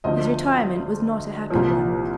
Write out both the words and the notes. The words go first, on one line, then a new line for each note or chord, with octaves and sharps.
His retirement was not a happy one.
D2 D3 F3 D#5
C2 A#2 F3